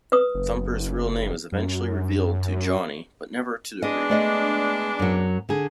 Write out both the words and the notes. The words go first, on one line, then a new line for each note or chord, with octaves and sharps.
Thumper's real name is eventually revealed to Johnny, but never to the reader.
B4 D#6
F#1
F#2
G#3 B3 D4 D#5
A3 D5 D#5
F#2 F#3
D3 G#4